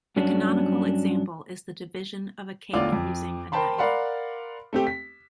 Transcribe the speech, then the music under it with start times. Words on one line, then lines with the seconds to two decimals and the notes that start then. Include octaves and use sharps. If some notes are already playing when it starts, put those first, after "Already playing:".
The canonical example is the division of a cake using a knife.
0.16 G2 F#3 C#4 D4
2.73 A1 E2 D3 F4 D5 D6
2.92 F2
3.52 A#4 C5 G5 A5 B5 C6
3.78 A#4 D5 F5 F#5 B5 C6
4.73 A3 C4 G4
4.87 B6